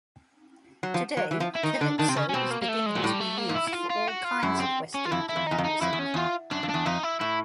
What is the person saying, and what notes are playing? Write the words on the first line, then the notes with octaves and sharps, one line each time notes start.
Today, 'calypso' is beginning to be used for all kinds of West Indian music.
F#3
F3
F#3
E3
F3
E4
D#3 D#4
D3 D4
D#3 D4
C3 C4
C#3 C#4
C#4
B2 C4
A#3
A#3
A3
G#3
A#2 F#3
A2 G3
A3
A#3
G#2
E4
E4
F4
F4
F#4
F4
F#2 E4
C4
C#4
F4
F2 E4
E4
F2
E2 D#4
F2
D#4
F2 E4
E2
C#4
E2 F4
F#2 D4
F2
E2 D4
F2 D#4
E4
A2 E4